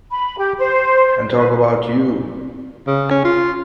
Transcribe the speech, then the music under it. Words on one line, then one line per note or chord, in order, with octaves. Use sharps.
And talk about you?
B5
G4
C5
B4
C#3
C#4
F4